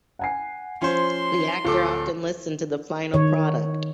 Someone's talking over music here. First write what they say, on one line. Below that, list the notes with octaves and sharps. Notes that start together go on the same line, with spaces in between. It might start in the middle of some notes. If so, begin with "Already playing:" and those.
The actor often listened to the final product.
F#5 G#5 C7
F3 C#4 C5 C6
D1 F4 A4 D6
D#3 C#5